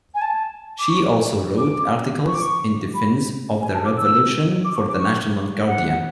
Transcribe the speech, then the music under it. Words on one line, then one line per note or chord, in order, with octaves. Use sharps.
She also wrote articles in defense of the Revolution for the National Guardian.
G#5
A5
D6
C#6
D6
C#6
D6
C#6
B5
G#5
A5
D6
E6
D6
C#6
D6
C#6
F#5